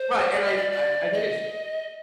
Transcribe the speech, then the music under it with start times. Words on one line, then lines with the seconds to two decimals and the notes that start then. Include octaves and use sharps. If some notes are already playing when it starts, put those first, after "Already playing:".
Right, and I I I think it's
Already playing: C5
0.32 D5
0.44 D#5
0.57 D5
0.71 D5
1.12 D#5